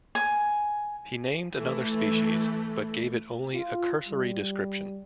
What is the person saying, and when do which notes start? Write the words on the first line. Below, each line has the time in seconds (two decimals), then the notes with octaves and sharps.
He named another species, but gave it only a cursory description.
0.15 G#5
1.55 E3 A3
3.54 F4
4.09 G3